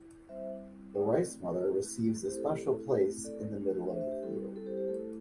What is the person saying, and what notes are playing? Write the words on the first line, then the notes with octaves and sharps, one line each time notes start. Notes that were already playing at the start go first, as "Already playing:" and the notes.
The Rice Mother receives a special place in the middle of the field.
Already playing: E4
G3 C4 E4 C5 E5
A3 C4 E4 D5 G5
A3 C4 E4
A3 C4 E4 G4 C5
A4
G4
A4
A3 C4 E4
A4 D5
A3 D4
C5 E5
C5 E5
G4
G3 C4 E4 A4
A4
G4 C5
G4 C5
A3 E4 A4